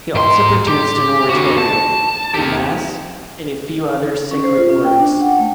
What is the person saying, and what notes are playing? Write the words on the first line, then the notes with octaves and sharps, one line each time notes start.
He also produced an oratorio, a mass, and a few other sacred works.
G#2 C6
G4
D3 F#4
A5
D#4 G4
C#4
C5
F4
C#4
G5
D4
F#5
A3